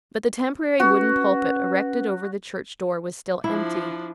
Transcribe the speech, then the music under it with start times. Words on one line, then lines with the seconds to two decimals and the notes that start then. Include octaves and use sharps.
But the temporary wooden pulpit erected over the church-door was still empty.
0.80 C#4 F#4 B4
3.44 F3 D4 E4